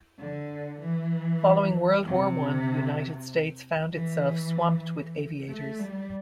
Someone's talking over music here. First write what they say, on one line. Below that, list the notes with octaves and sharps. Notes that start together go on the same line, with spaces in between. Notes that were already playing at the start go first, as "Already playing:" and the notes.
Following World War One, the United States found itself swamped with aviators.
D3
E3
C3
E3
A3
G3